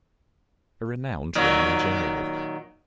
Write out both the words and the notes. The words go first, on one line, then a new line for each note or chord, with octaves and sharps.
A renowned Roman general.
A#2 D#3 F#3